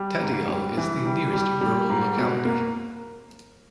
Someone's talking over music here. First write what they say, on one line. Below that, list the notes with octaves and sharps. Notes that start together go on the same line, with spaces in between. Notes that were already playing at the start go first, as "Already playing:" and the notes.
Tadiyal is the nearest rural locality.
Already playing: G3
G#2
G3
E3
G3
G3
G3
G#2
B2
A#3